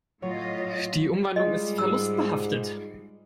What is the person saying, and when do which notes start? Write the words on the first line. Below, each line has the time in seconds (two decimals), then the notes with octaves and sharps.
Die Umwandlung ist verlustbehaftet.
0.22 A2 F#3 F4 C#5 D#5
1.36 G3 G#3 F4 G#4 D#5
1.78 G#2 E6